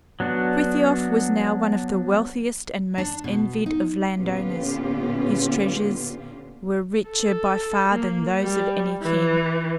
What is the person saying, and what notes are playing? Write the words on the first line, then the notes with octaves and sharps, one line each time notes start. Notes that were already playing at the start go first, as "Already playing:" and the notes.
Frithiof was now one of the wealthiest and most envied of land-owners. His treasures were richer by far than those of any king.
F#3 B3 D4 F#4
D4
B2
D#4
A#2 D3 B3 C#4 F4 G4
A4
A#3
G3
E3